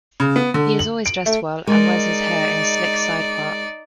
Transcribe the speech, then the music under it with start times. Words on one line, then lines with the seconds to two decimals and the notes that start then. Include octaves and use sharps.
He is always dressed well and wears his hair in a slick sidepart.
0.20 C#3
0.36 B3
0.54 D3
0.79 F#7
1.06 D7
1.26 A3
1.67 G#3 D#4 A#4 D5